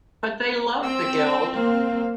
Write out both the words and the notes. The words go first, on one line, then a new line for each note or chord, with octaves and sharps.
But they loved the Guild.
C4 G5 E6
A#3 F5